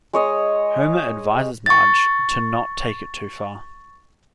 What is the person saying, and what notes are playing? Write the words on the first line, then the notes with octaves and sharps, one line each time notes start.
Homer advises Marge to not take it too far.
G#3 C#5 D#5
C#6 A6